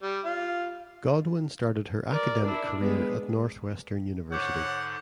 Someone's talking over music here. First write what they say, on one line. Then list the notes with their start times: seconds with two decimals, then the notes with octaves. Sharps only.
Godwin started her academic career at Northwestern University.
0.03 G3
0.25 F4
2.11 A#4 D5
2.45 D4 E4
2.79 G#3 B3
4.32 G#2 D3 C#5 F#5 D6 G6